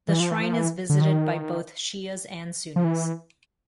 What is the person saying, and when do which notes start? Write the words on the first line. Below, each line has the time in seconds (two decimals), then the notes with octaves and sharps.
The shrine is visited by both Shias and Sunnis.
0.08 E3
0.20 F3
0.31 E3
0.42 F3
0.53 E3
0.90 D3
1.01 D#3
2.76 F3
2.84 E3